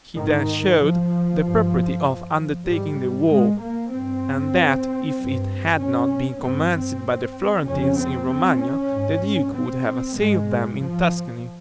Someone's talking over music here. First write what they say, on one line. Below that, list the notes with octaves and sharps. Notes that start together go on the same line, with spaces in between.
He then showed the propriety of undertaking the war; and that if it had not been commenced by the Florentines in Romagna the duke would have assailed them in Tuscany.
G#2 D#3
F3
G2
G#2 G3
G#3
A#3
G2 C4
G2
C#4
G2 C4
C4
F2 C#3 C#4
C4
C4
C#4
G#2
C4
G#2 G#3
F3